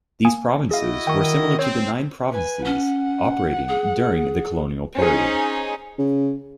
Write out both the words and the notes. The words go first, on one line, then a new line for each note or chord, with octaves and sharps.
These provinces were similar to the nine provinces operating during the colonial period.
A#3 G#5 D#6
E4 F#4 G#4 D#5 F5
D#3 G5 C#6
C4 C#5
B4 G#5
C#4 F#5
G#4
C#4 D#4 G#4 C5
C#3